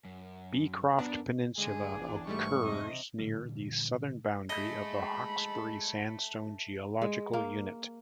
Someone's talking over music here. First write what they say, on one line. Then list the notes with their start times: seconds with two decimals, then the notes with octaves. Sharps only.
Beecroft Peninsula occurs near the southern boundary of the Hawkesbury Sandstone geological unit.
0.05 F#2
0.99 F#2 B3 D4 A#4
1.58 D3 G#3 G#4
1.92 A1 E2 D4
2.27 G#2 G3 A3 C#6
2.63 F2 C3 D#5
3.19 A#2 D3 E3 G3
4.50 G#3 A4 D#5 E5 B5
7.02 G#3
7.33 A#3